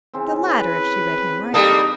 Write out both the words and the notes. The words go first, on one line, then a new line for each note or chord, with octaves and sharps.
The latter, if she read him rightly.
C#3 E3 C4
B4
G3 A#3 D#4 A4 D#6